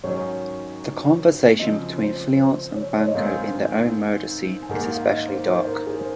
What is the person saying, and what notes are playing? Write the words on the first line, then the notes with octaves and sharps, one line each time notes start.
The conversation between Fleance and Banquo in their own murder scene is especially dark.
G#2 D#3 F#3 C#4 C#5
C#3 F3 C4 D#5
C5
C5
C#5
C5
C#5
D#5
G#2 D#3 G#3 C4 D#4 F5
G#5
G#2 D#3 A#3 F#5
F5
D#5
C5
C5
A#4
G#4
C5